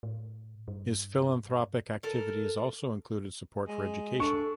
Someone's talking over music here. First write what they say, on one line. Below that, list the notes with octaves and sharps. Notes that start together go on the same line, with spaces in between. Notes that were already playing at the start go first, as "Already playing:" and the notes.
His philanthropic activities also included support for education.
A2
G2
A4 A#4
G#3
D4 A4 C#6